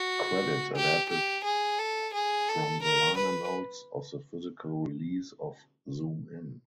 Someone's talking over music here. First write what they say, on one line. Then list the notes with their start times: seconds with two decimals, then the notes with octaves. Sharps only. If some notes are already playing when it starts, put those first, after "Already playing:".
Credits adapted from the liner notes of the physical release of "Zoom In".
Already playing: F#4
0.76 G4
1.10 G4
1.45 G#4
1.79 A4
2.14 G#4
2.49 A4
2.83 A#4
3.18 B4